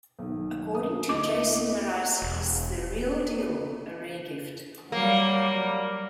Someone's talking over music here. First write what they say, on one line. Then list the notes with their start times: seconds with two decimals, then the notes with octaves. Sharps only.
According to Jason Mraz: He's the real deal, a rare gift.
0.19 B1 D#3
0.75 D#6
1.09 D2 E4 D#5 D6
2.22 E1
4.92 F#3 G3 A#3